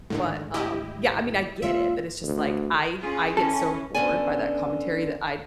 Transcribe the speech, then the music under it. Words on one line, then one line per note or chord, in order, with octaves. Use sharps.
but um, yeah, I mean I get it, but it's just like I I get so bored by that commentary that I
G#1 D2 A2 D3 D#3 G#3
E4 G4 D#5
E2 G#3 A#3 F4 E5
D2
C#4 F4 G#4
E3 C#4 A4
D3 B3 C#4 D5 G#5